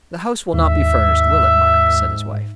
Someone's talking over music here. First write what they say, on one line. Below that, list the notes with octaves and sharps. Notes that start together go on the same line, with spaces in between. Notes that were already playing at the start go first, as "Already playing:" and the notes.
"The house will not be furnished, will it, Mark?" said his wife.
D#2 G#2 E5